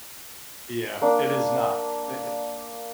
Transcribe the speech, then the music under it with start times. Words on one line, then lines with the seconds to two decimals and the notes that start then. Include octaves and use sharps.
Yeah, it is not. I It
1.02 A#3 D4 D6